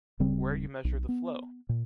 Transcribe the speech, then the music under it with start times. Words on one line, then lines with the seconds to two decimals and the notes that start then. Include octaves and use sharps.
Where you measure the flow.
0.19 D1 C#3 G3 C4
0.85 B1
1.09 B3
1.69 A#2